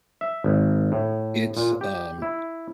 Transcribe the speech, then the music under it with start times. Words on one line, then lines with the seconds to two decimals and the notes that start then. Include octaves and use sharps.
it's, um
0.21 E5
0.44 G#1
0.92 A2
1.57 A#2
1.81 G4
2.22 E4